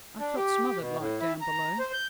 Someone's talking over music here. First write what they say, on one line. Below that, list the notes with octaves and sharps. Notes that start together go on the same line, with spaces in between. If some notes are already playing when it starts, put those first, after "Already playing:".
I felt smothered like down below.
D4
G4
B2
A2
E4
A#5
C5
G6